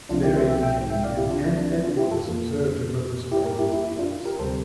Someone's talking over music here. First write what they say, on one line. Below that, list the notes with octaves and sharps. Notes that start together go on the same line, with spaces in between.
Marian came in, and at once observed her mother's frightened face.
C2 C3 F3 A3 C4 D4 F4
E4 G4
C5 E5
E5 G5
E5 G5
E5 G5
D5 F5
E4 G4
D4 F4
E4
D4
E4
D4 F4
E4 G4
F4 A4
F2 E3 A#3
E4 G4
G4 A#4
E4 G4
E4
E4
D4 F4
G4 A#4
D2 C3 G3 C4 A4 C5